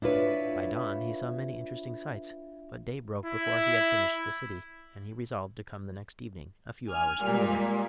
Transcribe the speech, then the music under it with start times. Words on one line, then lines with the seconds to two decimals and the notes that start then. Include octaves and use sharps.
By dawn he saw many interesting sights, but day broke before he had finished the city, and he resolved to come the next evening a few hours earlier.
0.02 D4 E4 F4 B4 C#5
3.25 E4
6.91 G#5 F6
7.24 A#2 G3 G#3